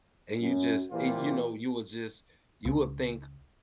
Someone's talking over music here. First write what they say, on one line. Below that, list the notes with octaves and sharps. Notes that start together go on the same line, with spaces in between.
and you just e you know, you would just you would think
F#2
A#2 E3 F4 G4 C5
C#2